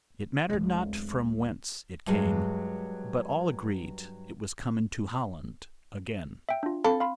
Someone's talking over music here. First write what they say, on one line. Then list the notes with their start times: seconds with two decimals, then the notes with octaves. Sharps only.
It mattered not from whence it came; but all agreed it was come into Holland again.
0.50 D1 G#3
2.07 G2 F#3 G#3
6.49 E5 G5
6.63 D4 F4
6.84 C4 A4 F5 B5
7.00 F5 B5 C6